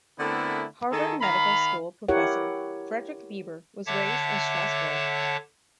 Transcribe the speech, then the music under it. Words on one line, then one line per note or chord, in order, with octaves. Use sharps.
Harvard Medical School professor, Frederick Bieber, was raised in Strasbourg.
D3 A3 B3 C4 E4 A#4
D#3 D#4 G#4 A4
D#3 F5 A#5 B5
E4 G4 A#4 C#5 F#5
D3 C#5 E5 F#5 A5 D6